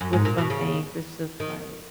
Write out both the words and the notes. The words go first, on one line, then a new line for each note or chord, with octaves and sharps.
with some things, it's just like
F#2
G#2
A#2
B2
C#3
D#3